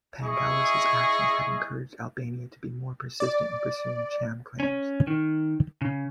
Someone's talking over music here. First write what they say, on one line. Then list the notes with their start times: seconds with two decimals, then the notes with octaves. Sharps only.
Pangalos' actions had encouraged Albania to be more persistent in pursuing Cham claims.
0.22 E4 G#4 D#5 C#6
3.20 D5
4.60 C#4
5.07 D#3
5.82 C#3